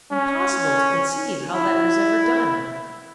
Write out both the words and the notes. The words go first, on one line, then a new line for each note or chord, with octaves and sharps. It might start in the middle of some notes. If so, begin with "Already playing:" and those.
Impossible to conceive how that was ever done....
C#4
E4